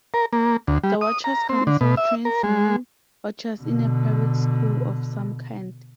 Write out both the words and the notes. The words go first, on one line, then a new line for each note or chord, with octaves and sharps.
The Watchers' Council trains new Watchers in a private school of some kind.
A#4
A#3
D2
G3
D#6
A#5
C4
D3
B2
E5
A#4
G#3
B2 D3